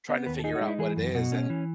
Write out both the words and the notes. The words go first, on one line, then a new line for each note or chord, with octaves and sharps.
trying to figure out what it is, and,
B3 D#5
D#2 B4
A4
D#4 G#4
F#4
G#3
E4
E3 G#4
F#2
B2 F#4
C#4
E3